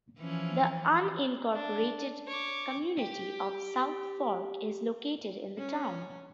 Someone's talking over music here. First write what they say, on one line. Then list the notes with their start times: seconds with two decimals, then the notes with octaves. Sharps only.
The unincorporated community of South Fork is located in the town.
0.19 E3 F3 C#4
1.52 D4
2.27 C#5 D6
2.98 G4 G5
5.58 C#4